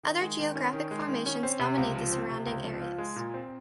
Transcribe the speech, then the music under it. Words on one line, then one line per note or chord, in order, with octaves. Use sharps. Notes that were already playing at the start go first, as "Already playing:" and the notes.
Other geographic formations dominate the surrounding areas.
D#3
G#3
D#3
C#4
D#3
G#3
D#3
C#4
C4
C3
C#2
F3
C4
C3
C#2
F3
F4
G#3
A#2
C4